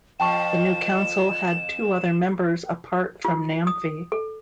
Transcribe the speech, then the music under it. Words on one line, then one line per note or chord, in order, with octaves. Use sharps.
The new council had two other members apart from Namphy.
F2 F3 G5 A5 C#6 E7
F4
D#6
A4